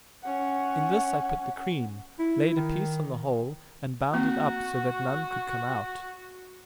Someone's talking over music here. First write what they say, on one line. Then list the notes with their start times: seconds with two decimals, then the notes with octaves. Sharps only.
In this I put the cream, laid a piece on the hole, and bound it up so that none could come out.
0.23 C#4 F#5
2.19 E4
2.56 D#3
4.14 A#3 C4 F#4